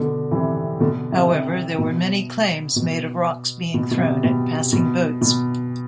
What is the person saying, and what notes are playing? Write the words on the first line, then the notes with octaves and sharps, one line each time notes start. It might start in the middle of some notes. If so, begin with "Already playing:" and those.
However, there were many claims made of rocks being thrown at passing boats.
Already playing: B2 D3
C3 E3
B2 D3
C3
C3
B2
B2
B2
B2
C3
B2
B2
B2